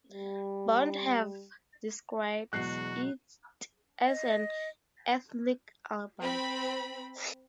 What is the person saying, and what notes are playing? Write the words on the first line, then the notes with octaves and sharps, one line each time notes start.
Bond have described it as an "ethnic" album.
G3
E2 B2 F#3 G#3 F#4 F#6 C7
D#5
C4 B5